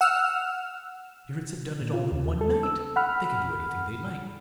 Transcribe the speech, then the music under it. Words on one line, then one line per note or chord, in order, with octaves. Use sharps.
The Spirits have done it all in one night. They can do anything they like.
F#5 E6 F6
A#2
F4
D#2
A4
E6
F#5 B5 F6